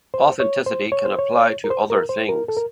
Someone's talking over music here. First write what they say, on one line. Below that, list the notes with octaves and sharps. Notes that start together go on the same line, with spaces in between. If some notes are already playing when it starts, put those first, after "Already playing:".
Authenticity can apply to other things.
C5
C#5
C5
C#5
C5
C#5
A#4
C5
A#4
C5
A#4
A4
A#4